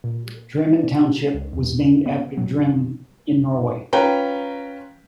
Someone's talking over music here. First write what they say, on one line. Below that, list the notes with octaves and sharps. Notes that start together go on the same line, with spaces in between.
Drammen Township was named after Drammen, in Norway.
A#2
D4
C#2
E2
B3
F#3
C#4 F4 B4 G5 A#5